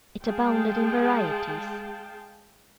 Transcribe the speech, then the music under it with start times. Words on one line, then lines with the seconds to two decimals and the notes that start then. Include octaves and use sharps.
It abounded in varieties.
0.23 G#3 G#4 F5 G5 A5